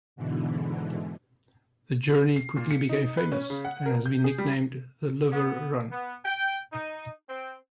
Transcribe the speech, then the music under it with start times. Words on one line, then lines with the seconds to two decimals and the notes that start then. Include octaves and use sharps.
The journey quickly became famous, and has been nicknamed the Liver Run.
0.16 G#2 B2 D3 E3
2.36 C7
2.56 A#2
2.71 C#7
2.89 D#4
3.17 B4
3.32 C#4
3.50 C#3
3.65 F#5
3.86 A#4
4.06 G6
4.24 G#4
4.38 G3
5.32 B3
5.91 B3
6.25 G5
6.72 D#4
7.29 C4